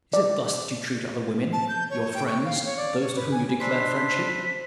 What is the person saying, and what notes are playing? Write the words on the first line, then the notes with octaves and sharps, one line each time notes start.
Is it thus that you treat other women--your friends, those to whom you declare friendship?
D5
A5
G6
C#5
G5
C#6
F5
C#5
D5
C#5
B4
G#5
D4 C5 B5 C6 E6 B6